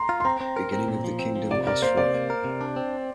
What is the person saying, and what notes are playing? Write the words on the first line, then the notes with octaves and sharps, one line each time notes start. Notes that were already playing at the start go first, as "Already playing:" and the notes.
Beginning of the kingdom Osroene.
Already playing: A#5 C6
F4
C6
C4 A#5
C4
A#4
C4
A#2
F3
C4
F3
C3 D5
A#4 D5
A#3 C5
C3 D5
A#3
A#4
C3
D4
C4